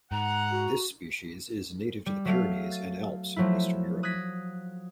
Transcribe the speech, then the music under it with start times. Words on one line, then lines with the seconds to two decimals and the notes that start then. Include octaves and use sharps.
This species is native to the Pyrenees and Alps in western Europe.
0.12 G#2 F#5 A#5
0.51 F#4
2.06 G3
2.25 F#3 A3 F5
2.72 A6
3.36 F3 F#3 A3 E4
4.03 D#6 F#6 G#6 A#6 B6